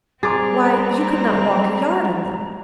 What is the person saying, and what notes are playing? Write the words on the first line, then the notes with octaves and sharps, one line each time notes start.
'Why, you could not walk a yard in them!'
G3 C4 G#4 A#5 C6 D6 A6